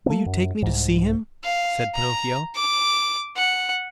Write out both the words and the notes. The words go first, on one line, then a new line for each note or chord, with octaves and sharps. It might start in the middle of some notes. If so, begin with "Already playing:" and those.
"Will you take me to see him?" said Pinocchio.
A3 A#3 C4
F#2
C2 G#2
F5
A#5
D6
F#5